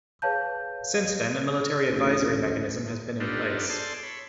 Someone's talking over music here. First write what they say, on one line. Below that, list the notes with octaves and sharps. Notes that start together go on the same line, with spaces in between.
Since then, a Military Advisory Mechanism has been in place.
G#4 B4 C#5 F5 A5 G6
A1 D2
B3 D4 D#4 F4 G4 A4
G#4 A4 D5 A5 C6
C#5 B5